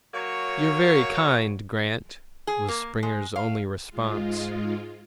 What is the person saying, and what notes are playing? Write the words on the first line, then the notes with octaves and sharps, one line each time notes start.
"You're very kind, Grant," was Springer's only response.
F#3 A#3 C#5
G#4
A#3
G#3
F5
G#2 G#3 F4